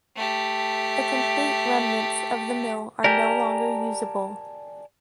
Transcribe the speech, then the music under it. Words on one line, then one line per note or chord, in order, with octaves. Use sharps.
The complete remnants of the mill are no longer usable.
A3 G4
G4 A#4 D5 G#5 A5